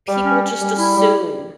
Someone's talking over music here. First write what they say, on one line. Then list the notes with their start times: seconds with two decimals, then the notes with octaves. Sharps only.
people just assume
0.08 G3
0.25 C#4
0.43 C#4
0.61 G3
0.78 E4
0.96 G3